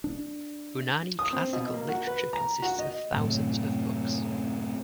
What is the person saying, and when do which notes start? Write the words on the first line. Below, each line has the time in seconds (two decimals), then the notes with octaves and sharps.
Unani classical literature consists of thousands of books.
0.04 D4
1.19 D#6
1.33 C4
1.53 B2
1.74 A#3
1.89 F#4
2.07 B4
2.33 A#5
2.62 F#4
2.79 D#5
3.12 F#2 A2 C3